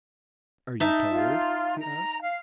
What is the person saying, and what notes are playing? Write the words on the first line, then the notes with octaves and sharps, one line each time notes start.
"Are you tired?" he asked.
D#4 E5 A5
F4
A#5
F5